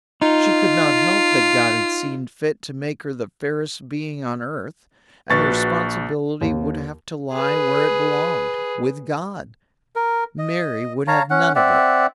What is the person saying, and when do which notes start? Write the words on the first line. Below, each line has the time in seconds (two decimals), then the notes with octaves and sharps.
She could not help that God had seen fit to make her the fairest being on earth, and the responsibility would have to lie where it belonged--with God; Mary would have none of it.
0.22 D#4 F4
5.30 A#1 F#4 B4 C#6 A6
6.41 D#2
7.33 G#4 B4
9.96 A#4
10.39 D#5
11.07 C#5 F5 A5 A#5
11.30 C#4 F#5
11.56 C4 D5 E5 F#5